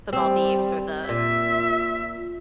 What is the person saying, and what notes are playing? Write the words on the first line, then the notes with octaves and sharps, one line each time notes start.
the Maldives or the,
G3 C4
A#2 E5